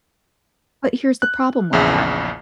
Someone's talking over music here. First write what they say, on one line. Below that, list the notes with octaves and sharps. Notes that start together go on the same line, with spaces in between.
But here's the problem with that.
F#6
A#1 E2 C#3 E5